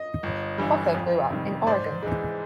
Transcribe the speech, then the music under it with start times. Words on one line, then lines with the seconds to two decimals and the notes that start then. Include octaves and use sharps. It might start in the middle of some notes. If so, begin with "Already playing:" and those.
Kocher grew up in Oregon.
Already playing: D#5
0.23 G1
0.58 G2 E3 G3
0.94 F2
1.30 C3 D#3 G3
1.67 G#2 C5 D5
2.03 E3 G#3